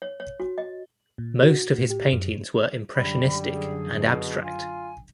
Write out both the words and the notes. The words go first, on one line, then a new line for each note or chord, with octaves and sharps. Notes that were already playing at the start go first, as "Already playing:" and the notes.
Most of his paintings were impressionistic and abstract.
C#5
C#5
F#4
D#5
A#2
F#4
A2
G4
F#2
F#2 D3 G3 B5
G#4
B2
F4 G#5